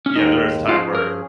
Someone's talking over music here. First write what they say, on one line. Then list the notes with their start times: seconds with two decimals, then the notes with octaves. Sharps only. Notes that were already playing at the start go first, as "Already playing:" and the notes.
yeah, there was a time where
0.06 C#4
0.16 D#2 D#3 G#3 D#4
0.68 F3 C#4 F4 G#4
0.95 A#4